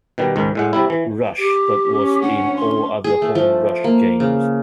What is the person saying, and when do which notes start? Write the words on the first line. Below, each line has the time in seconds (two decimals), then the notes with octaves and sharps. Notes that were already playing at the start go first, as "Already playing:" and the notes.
Rush, but was in all other home Rush games.
0.18 B2 D#3 G3
0.36 C#2 G#2 D#3
0.55 A2 G#3 F#5
0.73 C3 G3 E4
0.90 E3
1.38 G4
1.90 C#4
2.22 D2 F#5
2.57 C6
3.04 G#4
3.22 A3
3.35 F3
3.84 A#3
4.20 C#3